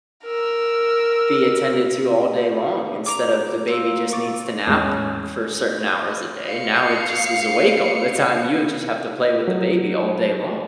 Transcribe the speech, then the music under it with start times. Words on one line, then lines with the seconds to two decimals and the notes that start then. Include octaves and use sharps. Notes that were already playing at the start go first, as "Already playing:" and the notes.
be attended to all day long instead of the baby just needs to nap for certain hours a day, now it just is awake all the time. You would just have to play with the baby all day long.
0.24 A#4 E6
3.06 A#5 D6
3.67 A#3 C4
4.12 C#6 D6 A6
4.67 E2 A2 G#3 C#4
6.47 F5 C#7
9.48 F#3